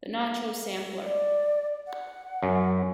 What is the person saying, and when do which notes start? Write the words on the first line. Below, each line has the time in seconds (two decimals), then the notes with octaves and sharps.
The Nacho Sampler.
1.05 D5
1.87 F#5
2.43 F#2